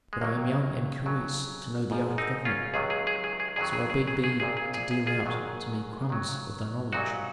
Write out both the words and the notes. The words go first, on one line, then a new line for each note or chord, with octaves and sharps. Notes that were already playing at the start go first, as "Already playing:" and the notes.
But I am young and curious to know the art of government, so I beg thee to deal out to me crumbs of thy knowledge.
G#3
D#2 D#3 F#3 A#3
F2 C#3 F#3
G#1 G#2 F3
C4 D#4
C#4 F4
C#2 C3 D#3 F#3 G#4
G#4
G#4
G#4
G#4
F2 D#3 F#3 G#4
G#4
G#4
G#4
G#4
A#1 A#2 F3 G#4
G#4
G#4
G#4
F4 G#4
G#1 G#2 D#3 F#3
F2 D#3 F#3
C2 A#2 F#3 D#4 F#4